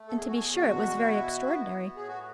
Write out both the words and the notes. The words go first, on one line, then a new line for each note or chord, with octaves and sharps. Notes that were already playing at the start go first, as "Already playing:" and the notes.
And to be sure it was very extraordinary.
Already playing: A3
E2 A4
G#4
F#4
G#4
B2 F#4
E4
B3
A2 G#4
F#4